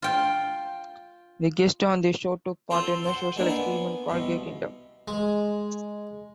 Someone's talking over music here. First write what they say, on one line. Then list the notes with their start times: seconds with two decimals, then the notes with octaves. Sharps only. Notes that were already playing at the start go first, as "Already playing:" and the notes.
The guests on the show took part in a social experiment called Gay Kingdom.
0.02 F4 G5
2.70 C4 F4 A4 C5
3.04 C5 F#5
3.36 G#3 A#3 D4 E4
3.48 B3 F#5 G#5
4.09 C2 B2
5.08 G#3